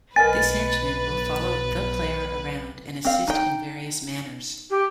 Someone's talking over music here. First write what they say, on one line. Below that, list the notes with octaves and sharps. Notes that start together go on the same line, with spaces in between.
This henchman will follow the player around and assist in various manners.
B1 A#4 B4 D#5 G#5 A6
C4 F5
D#4 G5
G4